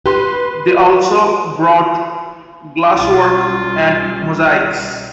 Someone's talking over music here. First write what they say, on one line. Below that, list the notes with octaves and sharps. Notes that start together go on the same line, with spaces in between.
They also brought glasswork and mosaics.
G4 B4 C6
B1 G3 C#4 F4